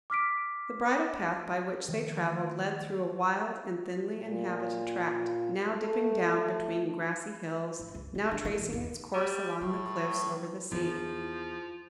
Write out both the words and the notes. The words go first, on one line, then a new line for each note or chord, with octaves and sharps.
The bridle-path by which they travelled led through a wild and thinly inhabited tract,--now dipping down between grassy hills, now tracing its course along the cliffs over the sea.
D6 F6 B6 D7
D#3 F3 G#3 A3
A#2
A3
D3
C#2
E4
D4
E4
E3
D#2
G3
A2 F#3
E2 F3